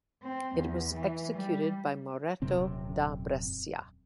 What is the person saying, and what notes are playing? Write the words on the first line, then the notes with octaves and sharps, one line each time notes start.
It was executed by Moretto da Brescia.
C4
E2
E3
G3
D#1 F#2 C3 C4